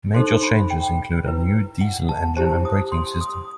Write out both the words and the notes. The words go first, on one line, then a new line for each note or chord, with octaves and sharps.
Major changes include a new diesel engine and braking system.
D#4 A4 C5 C6
B5
G5
E4 B4
F#5
A5
E4 G4 C5 A5
D#6
C6
D#6